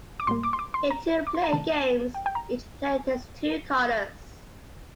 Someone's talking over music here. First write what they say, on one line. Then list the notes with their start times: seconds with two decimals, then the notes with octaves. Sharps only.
In two-player games, each player takes two colors.
0.20 D6
0.27 A2 G3 A#3 C6
0.43 D6
0.53 C6
0.59 D6
0.74 C6
0.90 A#5
1.27 D6
1.35 C6
1.44 A#5
1.53 C3 D#3 A3 A5
2.14 G5
2.26 G5
2.35 A#5